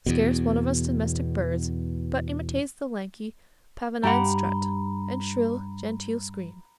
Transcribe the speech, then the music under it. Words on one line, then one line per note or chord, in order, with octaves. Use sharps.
Scarce one of us domestic birds but imitates the lanky, pavonine strut, and shrill, genteel scream.
E2 B2
G2 G4 F#5 A#5 B5